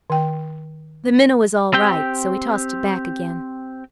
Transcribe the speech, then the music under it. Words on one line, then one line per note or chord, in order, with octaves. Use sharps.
The minnow was all right, so he tossed it back again.
D#3 G5
C4 G4 G5